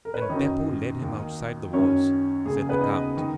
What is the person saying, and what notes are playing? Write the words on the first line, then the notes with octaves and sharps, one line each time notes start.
"And Beppo led him outside the walls?" said the count.
A#4
B4
C#5
F#2 D#3 D#4 D#5
D#2 D#3
F#2 D#3 C#4 C#5
D#2 C#3 G#4
G#4
B3 B4
D#4 D#5
D#3